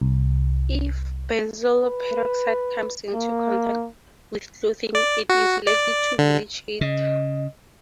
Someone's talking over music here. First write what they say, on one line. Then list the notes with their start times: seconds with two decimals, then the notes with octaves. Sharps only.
If benzoyl peroxide comes into contact with clothing it is likely to bleach it.
0.01 C2
1.83 B4
3.14 A#3
4.95 D5
5.29 F#4
5.67 D5
6.18 D3
6.81 C#3 D#5